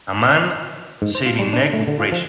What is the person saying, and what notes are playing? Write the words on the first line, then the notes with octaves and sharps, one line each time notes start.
A man shaving neck with razor.
G#2
C5
F4
G3
D4
A3
D3
F4
F3